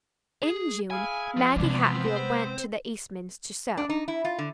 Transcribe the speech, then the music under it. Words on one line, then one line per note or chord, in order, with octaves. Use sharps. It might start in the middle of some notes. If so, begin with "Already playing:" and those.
In June Maggie Hatfield went to the Eastmans' to sew.
G#4
E4 G#4 F5 G#5
F3
C3 E3 F3 G#3 D4
B3 C4
C5
D4
D#4
E4
F4
D3